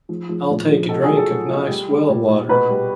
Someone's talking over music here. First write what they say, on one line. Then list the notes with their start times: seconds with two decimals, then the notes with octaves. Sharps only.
I'll take a drink of nice well-water.
0.09 F3
0.29 F3
0.49 A#2
0.69 F3
0.89 B2 A4
1.03 G#4
1.09 F#3
1.17 A4
1.30 F#3
1.48 B2
1.68 G3
1.89 G3
2.09 A#2
2.29 A#2
2.49 B2 B4
2.69 G3